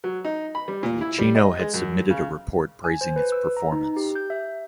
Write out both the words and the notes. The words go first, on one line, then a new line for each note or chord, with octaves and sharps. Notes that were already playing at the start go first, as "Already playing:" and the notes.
Iachino had submitted a report praising its performance.
F#3
D#4
B5
G3
A#2
E4
G3
D#5
G#3
F#2
C#3
G#5
C5
B4
E6
A#5
D#4
G4
G6
E5